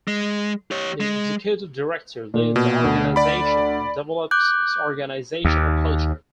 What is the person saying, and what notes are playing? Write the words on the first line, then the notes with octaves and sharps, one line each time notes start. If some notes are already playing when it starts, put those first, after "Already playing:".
The executive director leads the organization and develops its organizational culture.
G#3
G4 C#5
G#3
A#2
B2
D2
D5 B5
D6 F#6 G6
D#2